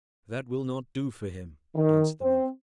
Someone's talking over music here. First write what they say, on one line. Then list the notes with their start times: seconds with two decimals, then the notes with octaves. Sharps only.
"That will not do for him," answered the monk.
1.75 D#3
2.21 C4